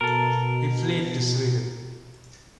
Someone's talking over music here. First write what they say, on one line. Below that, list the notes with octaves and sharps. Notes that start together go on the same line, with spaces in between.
He fled to Sweden.
B2 A4 A#4